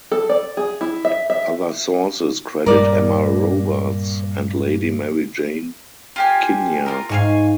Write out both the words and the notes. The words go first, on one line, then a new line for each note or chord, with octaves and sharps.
Other sources credit Emma Robarts and Lady Mary Jane Kinnaird.
A4
D5
G#4
E4
E5
E5
G2 A#2 A#4 D5
F4 G4 G#5
F4 G4 A#4
G#2 F5 G#5 C#6